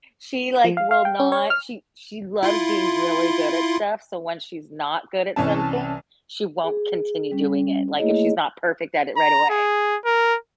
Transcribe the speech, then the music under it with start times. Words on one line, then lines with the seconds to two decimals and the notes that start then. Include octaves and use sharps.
she, like, will not she she loves being really good at stuff, so when she's not good at something, she won't continue doing it, like, if she's not perfect at it right away.
0.64 F3
0.77 F5
0.91 F5
1.05 G5
1.20 C#4
1.32 C#5
1.50 F6
2.43 E4 F4 C6
5.36 C2 E3 C#4 A5
6.64 G#4
7.31 G3 C#4
7.98 A3 A#3 E4 G#4 C#5 D#5
9.17 A#5
9.50 G#4
10.05 A#4